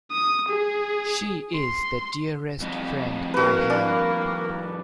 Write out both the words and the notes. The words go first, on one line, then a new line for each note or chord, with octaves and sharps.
She is the dearest friend I have!
D#6
G#4
C6
F2 G3 D#5
A#3 F#4 B4
D4